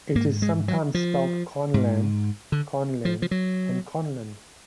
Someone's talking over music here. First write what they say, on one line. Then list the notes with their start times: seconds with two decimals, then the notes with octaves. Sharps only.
It is sometimes spelt Conlan, Conlen and Conlin.
0.15 G#2 A#3
0.42 G#3
0.68 F#3
0.94 F3
1.74 G#2
2.52 D3
3.05 F3
3.22 F3
3.31 F#3